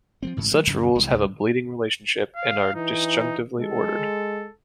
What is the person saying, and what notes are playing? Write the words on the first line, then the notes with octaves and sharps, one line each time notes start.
Such rules have a bleeding relationship and are "disjunctively ordered".
F3 G3 C4
A1 G#2 C#3
F#3 G#3 A3
F#2 C#3
C2 C3 E3 G#3
C#2 G#2
F5
E3 D#4
G#3 A4